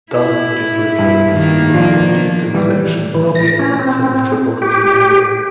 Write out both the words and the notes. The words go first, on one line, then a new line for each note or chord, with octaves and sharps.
Duluth is located in the northeastern section of the Atlanta metropolitan area.
E4
G2
D#3 A#3
F3 D4 F4
E3 G3
E3
A#6
C#4
C4
G4